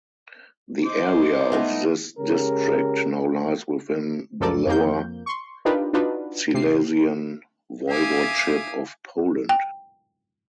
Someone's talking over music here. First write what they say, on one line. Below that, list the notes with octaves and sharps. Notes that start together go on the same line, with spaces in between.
The area of this district now lies within the Lower Silesian Voivodeship of Poland.
C5 D#5 D6
A3 B3 D#4
C#3 G#3 C#4 G4 A#4
C#2 F#2 F3 A4 A#4 D5
F2 A#3 G6
C6 C#6
D4 D#4 F4 G4 A#4 B4
D4 D#4 F4 F#4 B4
C3 C7
E5 F5 G#5 D6 D#6
G5